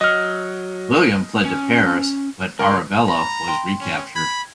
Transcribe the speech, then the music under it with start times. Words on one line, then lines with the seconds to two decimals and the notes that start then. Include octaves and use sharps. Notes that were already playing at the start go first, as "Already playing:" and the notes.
William fled to Paris, but Arabella was recaptured.
0.01 F#3 D#5 F6
1.45 C#4
2.59 C#2 A#4 C6
3.08 A#5 B5
3.48 G5 C6
3.81 C#4
4.16 B5 G#6